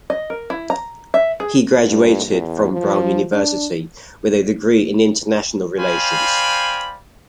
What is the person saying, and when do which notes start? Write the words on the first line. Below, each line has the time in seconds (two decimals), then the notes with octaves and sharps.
He graduated from Brown University with a degree in International Relations.
0.10 D#5
0.30 A#4
0.50 E4
0.70 A#5
1.14 E5
1.40 G#4
1.88 G2
2.28 E2
2.72 F3
3.33 D4
5.78 C5 D5 F5 G5 G#5 B5